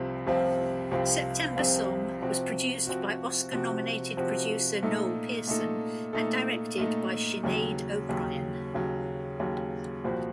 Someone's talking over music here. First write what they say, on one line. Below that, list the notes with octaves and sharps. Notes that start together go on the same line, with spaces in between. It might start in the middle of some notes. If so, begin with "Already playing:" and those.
"September Song" was produced by Oscar-nominated producer Noel Pearson and directed by Sinead O'Brien.
Already playing: C2 C3 F3 C4 F4
C2 C3 F3 C4 F4
C2 C3 F3 C4 F4
C2 C3 F3 C4 F4
C3 F3 C4 F#4
C3 F3 C4 F#4
C3 F3 C4 F#4
C3 F3 C4 F#4
A#2 A3 D#4 A4
A#2 A3 D#4 A4
A#2 A3 D#4 A4
A#2 A3 D#4 A4
D#2 C#3 F#3
D#2 C#3 F#3
D#2 C#3 F#3
D#2 C#3 F#3
C2 A#2 F3 C4 F#4